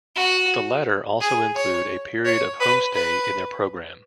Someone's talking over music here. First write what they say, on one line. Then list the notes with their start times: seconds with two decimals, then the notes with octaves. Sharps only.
The latter also include a period of homestay in their programme.
0.16 F#4
1.21 G#4
1.55 C#5
2.25 C#5
2.60 B4
2.94 B4